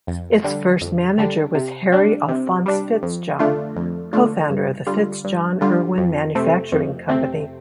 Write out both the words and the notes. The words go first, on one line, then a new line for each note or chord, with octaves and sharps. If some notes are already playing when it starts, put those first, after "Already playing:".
Its first manager was Harry Alphonse Fitzjohn, co-founder of the FitzJohn-Erwin Manufacturing Company.
F2
D3 G3 D4
F2
D3 G3 D4
C3
G3 D4
C3
G3 D4
F2
D3 A3 D4 F4
F2
D3 A3 D4 F4
G2
D3 G3 F4
G2
D3 G3 F4
F2
C3 A3 C4
F2
C3 A3 C4